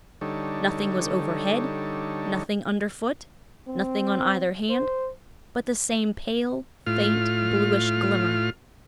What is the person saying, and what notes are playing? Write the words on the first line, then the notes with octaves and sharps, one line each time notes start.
Nothing was overhead, nothing under foot, nothing on either hand, but the same pale, faint, bluish glimmer.
D3 G3 D#4 A4 C#5
C4
C5
A2 F4 F6